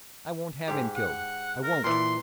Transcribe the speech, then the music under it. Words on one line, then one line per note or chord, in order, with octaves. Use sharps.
I won't have him killed--I won't!
G#2 G4
F#5
A#4
A#2 E3 C6